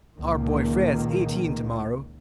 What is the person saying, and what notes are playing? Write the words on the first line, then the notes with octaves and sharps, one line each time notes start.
Our boy Fred is eighteen to-morrow.
C#2 A#2 D#3 A#3